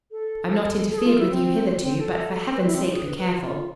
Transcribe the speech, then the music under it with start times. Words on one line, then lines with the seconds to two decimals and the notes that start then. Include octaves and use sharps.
I've not interfered with you hitherto, but for heaven's sake be careful.
0.12 A4
0.90 A4
0.98 G#4
1.06 F4
1.18 E4
1.30 C4
1.80 C4
1.99 A4
2.55 B4
2.65 E4
2.74 C4
2.83 F4
2.93 G#4
3.05 B4
3.18 B4
3.31 F4